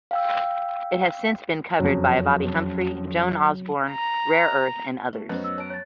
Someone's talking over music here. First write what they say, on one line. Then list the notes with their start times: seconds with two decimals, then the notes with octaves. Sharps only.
It has since been covered by Bobbi Humphrey, Joan Osborne, Rare Earth, and others.
0.11 F5 G5 E6
1.80 F#1 F2 F#3
3.91 A#5
5.13 A3
5.29 F#2 B3 D#4 C5 C#5 F#6
5.44 E6
5.58 C#5 A5 A#5 D7
5.70 C#5 A6